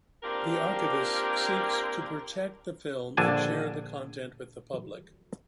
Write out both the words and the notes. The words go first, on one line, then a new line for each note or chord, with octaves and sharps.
The archivist seeks to protect the film and share the content with the public.
A#3 C4 D4 F4 G4 A#4
A#1 D3 D4 G#5 A5